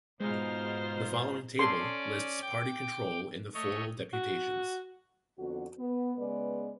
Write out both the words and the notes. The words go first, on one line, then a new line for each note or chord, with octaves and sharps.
The following table lists party control in the foral deputations.
G#2 B2 G#3 D#4 F4 C5 F6
C#4 A4 D5 C6
G5 D6
A3 C#5 D#5
F#4
F2 D3 B3 F#4
B3
C#3 G#3 B3 B4 D5